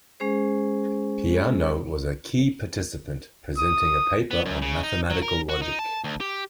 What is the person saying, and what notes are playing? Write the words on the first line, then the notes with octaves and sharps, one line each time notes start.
Peano was a key participant, presenting a paper on mathematical logic.
G#3 C#4 G#4 C5
D#6
B3
F#2
C#3
D#4
F#3
A#4
F#4
D#4
A5
D2
G4